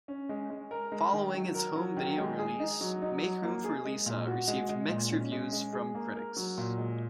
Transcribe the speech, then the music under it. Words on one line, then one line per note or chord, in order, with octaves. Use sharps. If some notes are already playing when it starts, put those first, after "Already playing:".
Following its home video release, "Make Room for Lisa" received mixed reviews from critics.
C#4
G#3
G#3
A#4
G#3
D#3
F#3
A#4
F#3
D#3
G#3
G#4
D#4
F#3
D#4
F#3
A#3
G#4
G#3
A#2
F#4
G#3
G#3
A#2
C#4
G#3
G#3
G#4
A#3
A#4
F#3
A#2
G#3